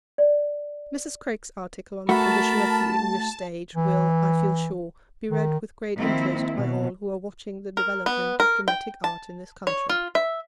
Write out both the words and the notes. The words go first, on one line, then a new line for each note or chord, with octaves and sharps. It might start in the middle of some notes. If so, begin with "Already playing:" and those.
Mrs. Craik's article on the condition of the English stage will, I feel sure, be read with great interest by all who are watching the development of dramatic art in this country.
D5
A3 F#4 A#4 A5 B5
E3
D#3
D#3 F3 A#3 C4 E4
B2
A#4
B3
A#4
G5
A5
C#5
F4
E5